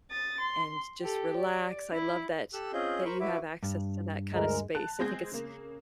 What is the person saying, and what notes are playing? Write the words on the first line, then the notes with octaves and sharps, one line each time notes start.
and just relax, I love that that you have access to that kinda space, I think it's
D#6 A6
C6
G4 A4
D5
E4
G4 A4 E6 F#6
C4 C#4 F4 G#4 D#5 G6
A#4 C5 B5 C#6
E4 F#4 B4 E5 D6
G2
D2 G#3 A#4
A5 F#6
G#3 C4 G#4 G6 A#6
C#3 A#3